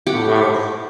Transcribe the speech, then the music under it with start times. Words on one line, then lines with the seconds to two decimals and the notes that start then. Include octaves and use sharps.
Oh, wow.
0.07 G4 F#5